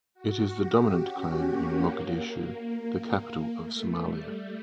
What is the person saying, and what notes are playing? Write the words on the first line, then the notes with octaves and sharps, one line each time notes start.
It is the dominant clan in Mogadishu, the capital of Somalia.
F#4
G4
C#4
A#3
A3
G3